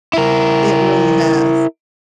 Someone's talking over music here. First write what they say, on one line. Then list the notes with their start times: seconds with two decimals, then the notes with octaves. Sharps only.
It really has.
0.13 E4 A#4